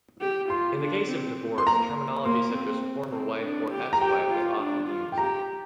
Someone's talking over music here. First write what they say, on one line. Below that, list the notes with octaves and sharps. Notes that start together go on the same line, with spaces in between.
In the case of divorce, terminology such as "former-wife" or "ex-wife" is often used.
G4
F4 C6
D4
C4
C6
A#3 A#5
A#3 C6
C4
C4
D4
G4
A#5
G4 G5
F4
D4
F4
G5
G4 A#5